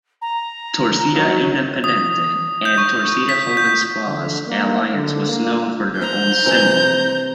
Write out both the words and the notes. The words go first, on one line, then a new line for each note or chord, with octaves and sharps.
"Torcida Independente" and "Torcida Jovem Fla"'s alliance was known for their own "symbol".
A#5
F#3
D#6
G6
C#6
B6
G6
D3
A#3
D3
A#3
C5 A#5 G6
C3 E3